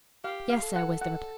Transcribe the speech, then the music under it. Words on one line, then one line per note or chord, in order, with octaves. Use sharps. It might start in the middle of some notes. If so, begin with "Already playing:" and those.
"Yes, sir," was the reply.
G4 F5
F5
A4
F#5
F#5